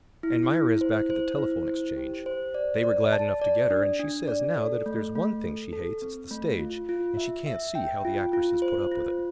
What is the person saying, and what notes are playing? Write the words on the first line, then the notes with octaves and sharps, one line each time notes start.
And Myra is back at the Telephone Exchange--they were glad enough to get her, and she says now that if there's one thing she hates, it's the stage, and she can't see how the actresses put up with it.
E4
E4
C5
C5
E4
C5
G4
C5
D5
D5
A5
D5
D4
D4
D5
A4
A3
A3
A4
A4
C4
A3
F4
F4
E5
E5
G5
F4
F4
C5
F4